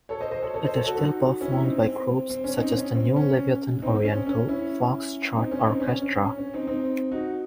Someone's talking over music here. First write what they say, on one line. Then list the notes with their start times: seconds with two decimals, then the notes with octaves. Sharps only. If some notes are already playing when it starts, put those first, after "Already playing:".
It is still performed by groups such as the New Leviathan Oriental Fox-Trot Orchestra.
0.09 A4 C#5
0.21 C5 D#5
0.31 C5 D#5
0.42 A4 C#5
0.54 A4 C#5
0.64 C5 D#5
0.75 A4 C#5
0.86 F#4 A4
0.98 D#4 F#4
1.41 C#4 E4
1.52 E4
1.63 C4 D#4
1.85 C4
2.30 C4
2.44 C#4
2.58 C4 D#4
2.72 C#4
2.95 C4
3.16 C#4
3.82 C4 D#4
3.95 C4
4.05 C#4
4.27 C#4
4.49 C#4 E4
5.36 C4 D#4
5.51 C#4
5.65 C4 D#4
5.80 C#4
6.02 C#4
6.24 C#4
6.38 C#4
6.53 C4 D#4
6.67 C4 D#4
7.11 D#4 F#4